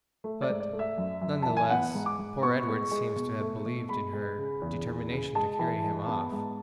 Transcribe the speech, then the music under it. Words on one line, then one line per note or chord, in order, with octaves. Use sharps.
But, none the less, poor Edward seems to have believed in her determination to carry him off.
A3
D5
G#2
D5
A3
E5
F#2
F#2
E3 A5
G#5
B3 F#5
G#2
D6
G#2
B3 C#6
G#3
G#3
B2
A3
B2
G#3 B5
G#3
C#3
E2
E2
C#3
G#3 A5
E3
G#3
B3
G#2